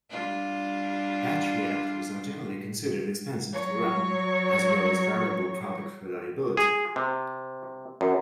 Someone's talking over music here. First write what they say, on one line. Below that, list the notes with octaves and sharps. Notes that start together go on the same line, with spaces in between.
Batch reactors are generally considered expensive to run, as well as variable product reliability.
G3 D4 F4
F#3 C#5
G#4
C3
F#2